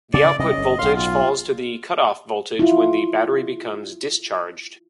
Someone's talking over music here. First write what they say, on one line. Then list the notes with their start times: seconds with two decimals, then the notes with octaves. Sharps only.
The output voltage falls to the cutoff voltage when the battery becomes "discharged".
0.14 C#3 D5
0.39 C3 G3 D#5
0.53 G1 C#4
0.79 B1 A2 F5 C6
0.96 F4
2.59 E4 F4